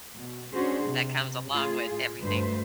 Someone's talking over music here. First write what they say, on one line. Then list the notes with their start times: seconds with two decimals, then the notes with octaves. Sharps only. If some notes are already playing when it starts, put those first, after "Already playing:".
that comes along with everything,
0.18 B2
0.54 C#4 D4 F#4 G#4 C5
0.86 C3
1.51 A2 F4 G#4
2.21 D2 G2 B4 C5